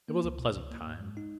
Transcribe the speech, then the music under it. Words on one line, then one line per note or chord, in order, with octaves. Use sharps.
It was a pleasant time.
A#3
C#2
B2
C#2
A#3
G#2
G#3
D#4